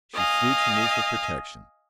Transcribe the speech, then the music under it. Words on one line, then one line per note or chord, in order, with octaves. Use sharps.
She flew to me for protection.
D#5 F5 G#5